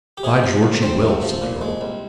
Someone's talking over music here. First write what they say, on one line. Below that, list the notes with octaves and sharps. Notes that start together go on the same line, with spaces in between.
"By George, he will," said the earl.
G4
C3 G#4
F3
D2
C4 C5
C3
F3
A#2
G#3
C2